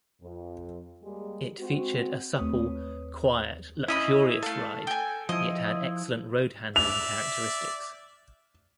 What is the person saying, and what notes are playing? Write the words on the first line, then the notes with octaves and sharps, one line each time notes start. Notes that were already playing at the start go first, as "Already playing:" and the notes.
It featured a supple, quiet luxurious ride, yet had excellent road handling characteristics.
F2
G3 G#3 A#3 G4 G#4
G#3 C4 F#4
D#2 A3 C4 B4 C#5 D#6
C#4 E4 D#5 B5
A3 A4 F5
G5 G#5
F3 E4 D#5
D5 E5 F7